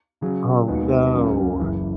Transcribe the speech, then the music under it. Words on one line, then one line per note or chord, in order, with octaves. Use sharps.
Oh, no.
C#3 F#3 C#4 G#4
D#2 D#3 G#3 B3 F#4
C#2 C#3 F#3 A#3 C#4
F#1 F#2 E3